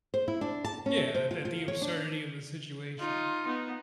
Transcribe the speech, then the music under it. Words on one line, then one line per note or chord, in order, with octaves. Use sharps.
Yeah, tha that the absurdity of the situation.
C5
E4
D4
A5
C#4
E5
C5
F4
F4
C#5
D4
D#4 F4
B3 D#4